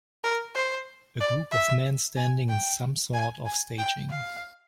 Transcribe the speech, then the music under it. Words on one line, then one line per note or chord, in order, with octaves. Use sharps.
A group of men standing on some sort of staging.
A#4
C5
D5
E5
G#5
G5
G#5
G#5
G5
F5